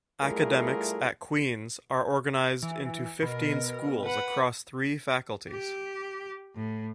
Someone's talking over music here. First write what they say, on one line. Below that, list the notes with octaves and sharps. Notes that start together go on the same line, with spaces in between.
Academics at Queen's are organised into fifteen schools across three faculties.
G3 A3 E4 F4 G#4 A#4
E3
B2 A#4
B4 F#5
G4
A2